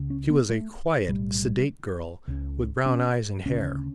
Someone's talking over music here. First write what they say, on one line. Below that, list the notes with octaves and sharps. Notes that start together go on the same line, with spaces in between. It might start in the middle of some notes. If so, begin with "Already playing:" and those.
She was a quiet, sedate girl, with brown eyes and hair.
Already playing: C#2 C#3
C#4
B3
A3
B1 A2 G3
C#2 C#3
C#4
D2 C#3 C#4